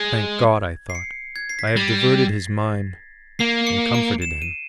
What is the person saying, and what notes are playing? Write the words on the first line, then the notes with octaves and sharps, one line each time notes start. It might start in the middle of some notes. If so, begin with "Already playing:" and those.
Thank God, I thought, I have diverted his mind and comforted him.
Already playing: G#3 G#6
C7
C#7
G#6
C7
B6
A#6
G3 A6
A#3 C7
C#7
D7
E7
D#7